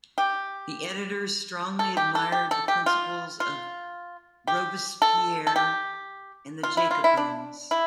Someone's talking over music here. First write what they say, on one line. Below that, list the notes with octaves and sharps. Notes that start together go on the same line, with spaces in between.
The editors strongly admired the principles of Robespierre and the Jacobins.
G4
A4
G4
A4
G4
A4
G4
F4
F4
G4
A4
A4
G4
F4
E4
F4
E4
D4
E4